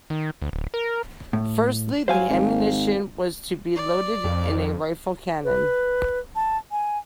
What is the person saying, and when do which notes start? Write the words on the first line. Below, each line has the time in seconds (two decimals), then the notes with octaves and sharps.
Firstly, the ammunition was to be loaded in a rifled cannon.
0.10 D#3
0.42 D2
0.53 D1
0.74 A#4
1.33 A2
2.08 F#3 C5 F5 G#5
2.29 G#1
3.76 D5
4.24 F2
5.44 B4
6.35 A5
6.71 G#5